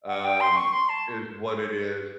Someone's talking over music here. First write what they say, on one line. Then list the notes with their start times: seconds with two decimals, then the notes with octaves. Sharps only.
Um, is what it is
0.08 F#5
0.24 G5
0.41 C6
0.56 C#6
0.72 C6
0.89 A5